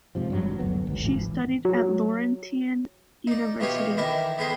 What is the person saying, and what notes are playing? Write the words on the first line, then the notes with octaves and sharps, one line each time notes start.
She studied at Laurentian University.
G#2 C3 F3
G2 F#3
G#1
F#1 D2 F#3 B3
G#1 D2
G#1 A2 E3 F3
F#3
D#4 D5
B2 E3 F4 G4 C#5 D#5
D#3 E3 E4 A#4 D5
D#3 B3 G#4 B4 C5